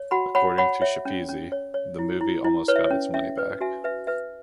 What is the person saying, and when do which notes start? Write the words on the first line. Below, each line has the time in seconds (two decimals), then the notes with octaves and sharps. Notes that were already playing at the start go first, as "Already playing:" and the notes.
According to Schepisi, the movie almost got its money back.
Already playing: C#5
0.11 F#4 F#5 B5
0.35 C#5 F#5 B5
0.58 C#5 F#5 B5
0.81 C#5 E5
1.05 C#4
1.29 C#4
1.52 C#5
1.74 C#5
1.99 E4
2.21 E4
2.44 E4
2.68 B4 C#5
2.76 E5
2.85 C#5
2.91 C#4
3.14 C#4 E5
3.38 B4
3.61 F#4 E5 G#5
3.84 B4 E5
4.07 B4 E5